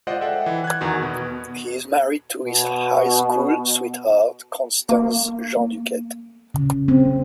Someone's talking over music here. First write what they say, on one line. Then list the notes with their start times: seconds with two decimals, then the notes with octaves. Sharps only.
He is married to his high school sweetheart, Constance Jean Duquette.
0.07 G#3 F4 C5 D5 D#5 F#5
0.21 A4 E5 F#5 G5
0.46 E3
0.64 F#6 G#6
0.81 E2 D#3 F#4
1.01 B2 B3
2.45 B2
4.89 A#3
6.54 C#3
6.88 C4